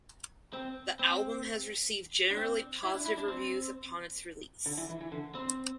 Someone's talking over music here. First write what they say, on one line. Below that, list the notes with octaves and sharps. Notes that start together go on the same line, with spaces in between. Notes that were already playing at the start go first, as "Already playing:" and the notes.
The album has received generally positive reviews upon its release.
C4
C4
D4
C4
E4
D4
E4
D4
C4
D3
E3
E3
E3
D3
C4